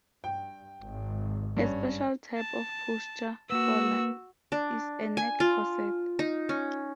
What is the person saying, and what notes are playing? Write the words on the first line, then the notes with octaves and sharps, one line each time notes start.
A special type of posture collar is a neck corset.
G2 G5
G#1
G2 C#4
A5
A#3 F#4 B4 E6
D4
G#5
F4
D#4
C#4